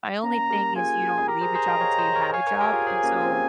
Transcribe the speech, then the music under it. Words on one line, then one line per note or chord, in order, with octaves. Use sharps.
My only thing is you don't leave a job until you have a job, and so
A#3 C#4 A#5
G4 A#4
F4 G#4 G#5
G#4
G4 A#4 A#5
G#4 C5
G#4 C5
D#5 G5
C#5 F5
C5 D#5
A#4 C#5
C#5 F5 G#5
A#4 C#5
G4 A#4
F4 G#4
G#4 C5
A#3 C#4
C4